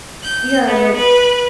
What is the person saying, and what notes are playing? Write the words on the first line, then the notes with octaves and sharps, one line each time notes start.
Yeah, like
G6
B3
B4